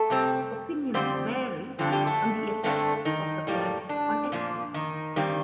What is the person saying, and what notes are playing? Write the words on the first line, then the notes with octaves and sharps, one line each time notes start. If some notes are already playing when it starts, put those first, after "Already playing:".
Opinions vary on the effects of the plan on Ashton.
Already playing: A3 A4
C3 G3 C4
F2 D3 G3 C4 C5
G2 D3 F3 C4
G3 G4
A3 A4
G2 D3 A3 C4
D#3 D#4
A2 G3 A#3
D4
A#2 F3 A#3
D#3 D#4
G2 D#3 G3 C4